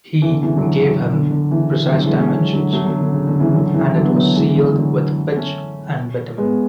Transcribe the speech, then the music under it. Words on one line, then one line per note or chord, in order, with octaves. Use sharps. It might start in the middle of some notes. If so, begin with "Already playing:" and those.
He gave him precise dimensions, and it was sealed with pitch and bitumen.
E3
D3
C#3 E3
D3 F#3
D3
D3
C#3 E3
D3 F#3
E3 G#3
A3 C#4
D3 F#3
F#3 A3
D3 F#3
D3
C#3
D3
C#3 E3
D3 F#3
C#3 E3
D3 F#3
B3
F#3 A3
E3 G#3
D3
D3 F#3
A3 C#4
G#3 B3